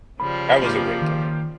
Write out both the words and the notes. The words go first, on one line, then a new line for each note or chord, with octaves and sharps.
that was a great point.
C#3 F3 G3 B5
A#3 F4 G4
D#3